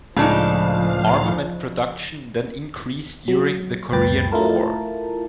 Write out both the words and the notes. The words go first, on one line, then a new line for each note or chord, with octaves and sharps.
Armament production then increased during the Korean War.
C#2 A2 C#3 F3 D4 D#4 F5
F#3
C#2 F#2 B4 G5 A6
A3 E4 F4 A#4 A5